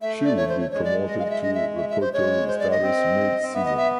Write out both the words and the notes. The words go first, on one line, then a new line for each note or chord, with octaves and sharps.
She would be promoted to repertory status mid-season.
A3 E5
D5
C#5
C5
C#5
G#3 C#5
D5
D#5
F5
D#5
E5
D#5
E5
E5
E5
C5
G#3 C#5
C5
D5
D#5
C4
C4
B3 E5
D#5
E5